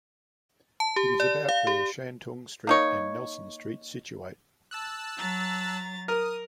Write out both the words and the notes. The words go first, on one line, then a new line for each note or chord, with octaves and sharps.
It is about where Shantung Street and Nelson Street situate.
A5
G4
D5
F5
G4
A#3 D#4 C#5
A5 E6 F#6
F#3 A#5 A6
A#4 D#6